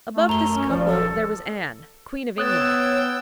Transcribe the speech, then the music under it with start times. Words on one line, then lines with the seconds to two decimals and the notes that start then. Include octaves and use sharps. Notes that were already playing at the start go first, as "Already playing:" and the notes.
Above this couple there was Anne, Queen of England.
0.15 A3
0.29 F#2 A#5 G7
0.54 C#4
0.69 D#1 F3 D5
0.86 A4
2.38 B3 C#5 G5 D#6 E6 F#6 A6